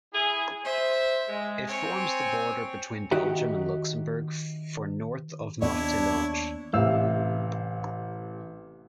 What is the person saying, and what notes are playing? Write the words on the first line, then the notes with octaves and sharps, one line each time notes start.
It forms the border between Belgium and Luxembourg for north of Martelange.
E4 G#4
C5 E5
G#3
C4 C#5 G#5
D#3 D#4 F#4 G4 E5 A#5
D#2 B3 C4 D4 E4 C#5 D5
A1 C3 F5 E6